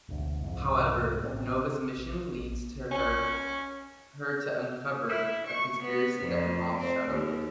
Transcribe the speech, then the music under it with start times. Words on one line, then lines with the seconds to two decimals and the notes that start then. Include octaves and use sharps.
However, Nova's mission leads her to uncover a conspiracy that involves Shadow Blade.
0.09 E1 D2
0.41 C2 F2 G#2
1.24 A1 C3 C4 C#4
2.91 C#4
5.09 E4
5.48 C#6
5.84 B3
6.22 F2
6.78 C4
7.09 D#2